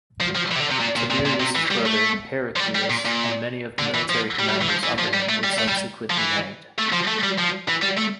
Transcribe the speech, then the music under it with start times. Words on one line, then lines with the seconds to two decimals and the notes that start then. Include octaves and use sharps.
Tiberius's brother, Heraclius, and many of the military commanders under him were subsequently hanged.
0.21 F3
0.36 F3
0.51 E3
0.56 C3
0.60 D3
0.71 C3
0.80 A#2
0.96 A#2
1.11 A#2
1.26 A#2
1.40 C3
1.55 E3
1.71 G3
1.86 A3
2.56 F3
2.60 G3
2.75 G3
2.90 A#2
3.05 A#2
3.79 D3
3.94 E3
4.09 F3
4.39 G3
4.49 G3
4.62 E3
4.69 F3
4.84 E3
4.99 F3
5.14 G3
5.29 A3
5.44 G3
5.58 A3
5.68 G3
6.10 F3
6.18 E3
6.78 A3
6.92 F3
7.07 A3
7.23 G3
7.38 F3
7.68 E3
7.82 G3
7.98 A3